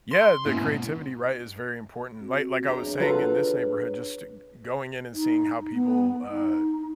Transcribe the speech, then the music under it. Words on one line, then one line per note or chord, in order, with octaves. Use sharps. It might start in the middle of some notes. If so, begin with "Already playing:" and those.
Yeah, the creativity, right, is very important. Like like I was saying in this neighborhood, just g going in and seeing how people, uh,
C6
G#2 B2 A#3 C#4 E4
C4 F#4
E2 D4 G4 G#4 C#5 A#5
F#3 F4 A4 B4 A#5
D#4
B3
D#4